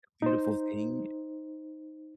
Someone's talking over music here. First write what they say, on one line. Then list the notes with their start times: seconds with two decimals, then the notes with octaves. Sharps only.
beautiful thing
0.22 D#4 C5